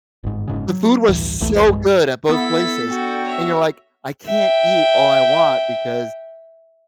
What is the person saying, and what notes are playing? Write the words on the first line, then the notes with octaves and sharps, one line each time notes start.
the food was so good at both places, and you're, like, "I can't eat all I want because"
G1 G#2
F#1 G#2 C#3
F#3
A1 D2 G2 E3
D1 B1 E2 A3
B1 G2 G#3
B3 E4 A4 B6
D4 F#4 G5
C#5 E5
E5 G5